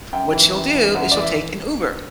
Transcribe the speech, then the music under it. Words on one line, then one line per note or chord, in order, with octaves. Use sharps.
What she'll do is she'll take an Uber.
F#2 G5
E3
F#2
E3
F#2 F#5
E3 D5
E5